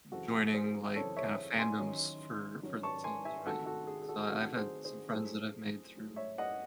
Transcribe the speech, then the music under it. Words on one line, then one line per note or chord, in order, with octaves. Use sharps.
joining, like, kind of fandoms for for the teams, right, and, like, so I've had some friends that I've made through,
F#2 C#3 E3 C4 F#4 A4
G#4 C5
F#2 C#3 E3 C4 A4 C#5
C#5 E5
G#5 C6
D#3 F#3 C#4
D#3 F#3 C#4
A5 C#6
G#5 C6
E5 G#5
C3 D#3 A3 F#4 A4
F#4 A4
G#4
G#4
F#4 A4
C3 D#3 A3 F#4 A4
G#4 C5
G#4 C5
A2 F#3 A3 G#4 C5
A2 F#3 A3
C#5 E5
D#5 F#5